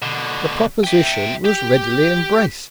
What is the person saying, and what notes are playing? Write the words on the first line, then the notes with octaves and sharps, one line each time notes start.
The Proposition was readily embrac'd.
B2 D3
E5 G5
G4